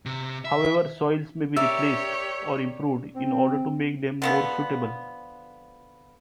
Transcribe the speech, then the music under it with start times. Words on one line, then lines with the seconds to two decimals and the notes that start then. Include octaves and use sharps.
However soils may be replaced or improved in order to make them more suitable.
0.06 C3
0.45 E5
1.57 G4 A#4 C#5 D5 E5 E6
3.14 C4
4.22 D3 F3 B3